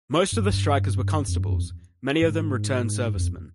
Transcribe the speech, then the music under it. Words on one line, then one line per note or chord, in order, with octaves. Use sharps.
Most of the strikers were constables, many of them returned servicemen.
G2
F2
G2
F2
G#2
F2